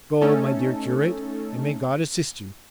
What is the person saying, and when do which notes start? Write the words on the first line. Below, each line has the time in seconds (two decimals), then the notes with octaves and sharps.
"Go, my dear curate, and may God assist you!"
0.21 A3 C#4 D#4 A4